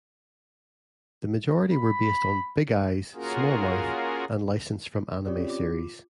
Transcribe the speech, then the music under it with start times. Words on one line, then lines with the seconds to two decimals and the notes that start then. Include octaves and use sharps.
The majority were based on "Big Eyes, Small Mouth" and licensed from anime series.
1.73 B5
3.14 A#3 C#4 F4 F#4 G#4 A#4
5.27 C4 C#4 F4 G4 C#5 D5
5.48 F4 D6